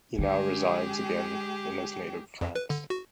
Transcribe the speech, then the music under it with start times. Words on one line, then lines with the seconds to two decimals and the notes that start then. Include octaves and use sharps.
He now resides again in his native France.
0.19 D3 G#3 G4 G#4
2.41 F2
2.55 B4
2.70 D3
2.90 F#4